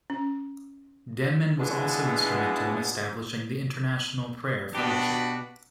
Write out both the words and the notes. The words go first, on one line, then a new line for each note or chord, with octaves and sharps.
Denman was also instrumental in establishing the International Prayer Fellowship.
C#4
B2 G#3 B3 D4 E4 F4
B2 D4 F#4 G4 B4